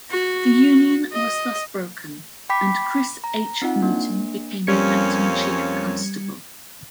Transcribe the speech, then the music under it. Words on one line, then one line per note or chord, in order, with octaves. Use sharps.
The union was thus broken, and Chris H. Newton became the acting Chief Constable.
F#4
D#5
G5 B5 D6 B6
A#5
C4 D#4 F4 F#5
A#3 D4
F2 G3 A#3 C#4 G#6 C#7